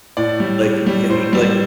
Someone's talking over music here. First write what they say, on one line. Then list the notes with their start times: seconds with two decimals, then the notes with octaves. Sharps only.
like, you hate like
0.17 A2 D5
0.40 G3
0.63 A2
0.87 G3
1.10 A2 C5
1.33 G3